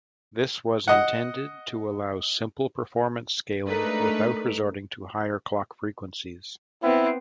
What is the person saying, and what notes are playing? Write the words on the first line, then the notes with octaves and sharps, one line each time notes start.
This was intended to allow simple performance scaling without resorting to higher clock frequencies.
D#5 F#5
G#3 A3 D4 D#4 A#4 B4
B3 C4 E4